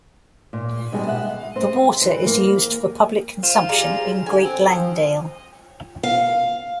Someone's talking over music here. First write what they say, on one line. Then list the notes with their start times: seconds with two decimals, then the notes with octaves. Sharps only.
The water is used for public consumption in Great Langdale.
0.53 A#2
0.92 B2 G3 G#3 G#4
1.07 E5 F#5
1.56 C4
2.02 E3 C4
2.26 A#3
3.43 F4 C5
3.69 G3 G#4 A#5
4.26 D3 G#5
4.45 C4
4.70 F3
6.03 F5